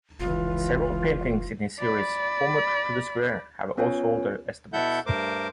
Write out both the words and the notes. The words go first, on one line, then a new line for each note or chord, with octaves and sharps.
Several paintings in his series "Homage to the Square" have outsold their estimates.
F1 C#2 E3 F4
D5 B5
B3 C#4 F4 B4 C#5 G#5
B2 E4 A4 E5 F#5 G6
G2 A3 A#4 C5 D6